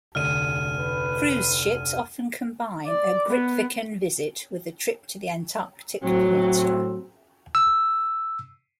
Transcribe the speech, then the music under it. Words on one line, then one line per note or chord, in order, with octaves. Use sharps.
Cruise ships often combine a Grytviken visit with a trip to the Antarctic Peninsula.
F1 D2 F6 D#7
B4
D5
B3
A2 F#3 C4
E6